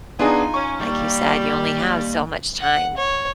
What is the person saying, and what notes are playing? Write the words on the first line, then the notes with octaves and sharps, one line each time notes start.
like you said, you only have so much time.
B3 D4 D#4 F4 G#4 G#5
C#4 C#6
D#3 G3 A#3
F#5
C#5